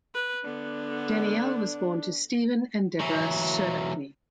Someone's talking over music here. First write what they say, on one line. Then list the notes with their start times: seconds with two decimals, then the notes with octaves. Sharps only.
Danielle was born to Steven and Debra Serdachny.
0.14 B4
0.44 D3 B3 D4
3.00 E3 F#3